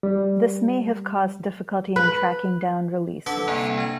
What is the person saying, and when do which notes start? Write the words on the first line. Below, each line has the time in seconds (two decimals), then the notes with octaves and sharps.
This may have caused difficulty in tracking down releases.
0.03 G3
1.96 B4
3.26 D3 A4 B4 F#5 D6
3.48 C2 A#3 G#5 A#5
3.78 D4 G#6